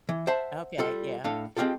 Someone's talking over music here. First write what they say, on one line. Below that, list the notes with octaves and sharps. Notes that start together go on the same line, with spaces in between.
Okay, yeah.
E3
C5 E5 F#5 A5 C6
G3 F4 A4
A2 D4 A4 F5
G#3 C4 C#4 F4 G4 A4